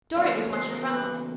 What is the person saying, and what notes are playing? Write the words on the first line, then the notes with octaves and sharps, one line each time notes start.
Dorry was much affronted.
E2 C#3 F#3 A#3 D5
C5
C#5
C5
A#4
B4